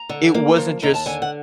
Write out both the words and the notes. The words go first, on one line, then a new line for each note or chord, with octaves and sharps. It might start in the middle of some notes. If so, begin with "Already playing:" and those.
it wasn't just,
Already playing: A#5
D3
A#3
F3
D#2 A#5
A5
D3 G#5
F#5